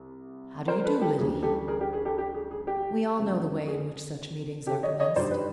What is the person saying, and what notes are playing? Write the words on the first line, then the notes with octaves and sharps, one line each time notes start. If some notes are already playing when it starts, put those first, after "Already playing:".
"How do you do, Lily?" We all know the way in which such meetings are commenced.
Already playing: C2
A#4 C5
A4 B4
G4 A4
D2 C#3 E3 G3 A#3 G#4
G4 A4
G#4 A#4
G4
G#4
G4 A4
G4
G#4
G#4
G4
F2 C#3 F3
G#4
G4 A4
C#5 D#5
C#5 D#5
G2 D#3 G3 C5 D5
B4